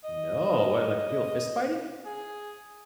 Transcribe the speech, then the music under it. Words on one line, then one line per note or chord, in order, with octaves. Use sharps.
No, well, like, people fist fighting?
D#5
G#4